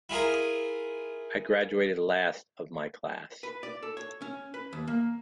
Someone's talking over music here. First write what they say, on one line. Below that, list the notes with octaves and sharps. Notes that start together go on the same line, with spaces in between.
I graduated last of my class.
E4 F4 G#4 A#4
B4
D5
A4
C#5
C#4
B4
D#2
A#3